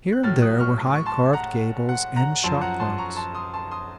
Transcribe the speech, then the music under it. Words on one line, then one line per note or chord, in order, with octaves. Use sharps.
Here and there were high carved gables and shop-fronts.
F#6
A2 F#3 F6 A6
D#6 F#6
C#6 F6
C#6
A5 C6
F#5 A#5
F#5
F#5 A#5
F#2 F3 A5 C6
F#5 A#5
A5 C6
A#5 C#6
A5 C6
C6 D#6
A5 C6
C6 D#6